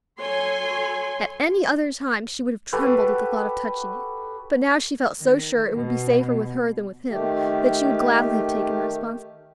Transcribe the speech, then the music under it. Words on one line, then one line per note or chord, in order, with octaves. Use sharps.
At any other time she would have trembled at the thought of touching it; but now she felt so sure it would be safer with her than with him, that she would gladly have taken the responsibility.
F#3 A4 C#5 G#5 C6
F#4 G4 A4 B4
D#3
B2
D#3 A3 G4